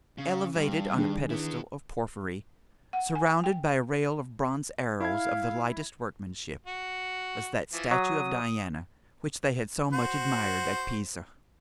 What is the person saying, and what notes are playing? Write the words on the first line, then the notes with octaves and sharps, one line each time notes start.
Elevated on a pedestal of porphyry, surrounded by a rail of bronze arrows of the lightest workmanship, was that statue of Diana which they had so much admired at Pisa.
C#3
G2
D#3 D4 G#4
B3 E4
F#5
G#5
G5
E4 F5 G#6
F#4
E3 F3
F#3 D#6
F#4 C5